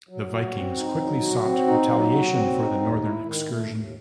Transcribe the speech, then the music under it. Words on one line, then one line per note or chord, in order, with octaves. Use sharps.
The Vikings quickly sought retaliation for the Northern excursion.
F#3
F#4
C4
D#4
F#3
F#4
C4
D#4
F#3
F#4
C4
D#4
D#2
E4
D#3
A3
D#2